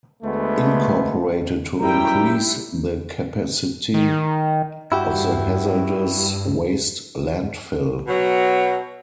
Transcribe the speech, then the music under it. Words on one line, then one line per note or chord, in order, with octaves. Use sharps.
Incorporated to increase the capacity of the hazardous waste landfill.
D2 G#3 A3 B3
F#2 G3 E4 G5 A#5
D#3
G2 E4 F#4 G4
B2 F#3